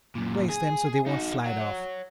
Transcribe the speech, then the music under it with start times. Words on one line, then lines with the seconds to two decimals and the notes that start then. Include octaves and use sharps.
Place them so they won't slide off.
0.15 F#2 A#2
0.49 G#4
1.07 D#4 F#4
1.45 C#5 F#5